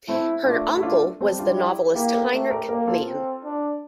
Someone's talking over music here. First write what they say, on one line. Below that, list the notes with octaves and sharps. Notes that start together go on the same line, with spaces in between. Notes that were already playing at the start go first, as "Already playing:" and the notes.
Her uncle was the novelist Heinrich Mann.
A3 C4 E4
A3 D4 F4
E4
D4 F4
G3 A3 C4
D4 F4
E4 G4
A#3 E4 G4
G4 A#4
A3 G4 A#4
G4 A#4
A#3 G4 A#4
F4 A4
C4
D4